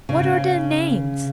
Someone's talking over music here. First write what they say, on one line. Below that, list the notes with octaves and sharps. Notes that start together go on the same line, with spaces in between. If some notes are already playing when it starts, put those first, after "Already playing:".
"What are their names?"
C#3